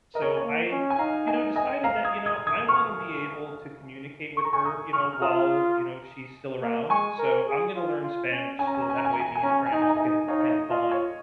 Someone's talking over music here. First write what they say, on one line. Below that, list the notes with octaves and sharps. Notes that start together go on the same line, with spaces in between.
so I d you know, decided that, you know, I wanna be able to communicate with her, you know, while, you know, she's still around. So, I'm gonna learn Spanish so that way me and grandma can kind of bond.
A#4 D#5
C#5
C#5
A#3
C#4
G#5
D#4 F5 A#5
D#5 G#5
D#5 G#5
F5 A#5
D#6 G#6
D#6 G#6
D#6 G#6
C#6 F6
C#6
A#5
G#5 C#6
A#5 D#6
C#6 F6
F6
F4 A#5 D#6
A#3
G#3 G#5 C#6
A#4
G#4
F4
F4
C#4
C#4 G#5
A#5
G#5
A#5
G#5
A#5
G#5
A#5
G#5
A#5
G#5
C#4 A#5
G#5
A#5
G#5
D#4 A#5
G#5
A#5
D#4 D#5 G#5
D#4 C#5 F5
C#5
D#5
F4 D#5
C#5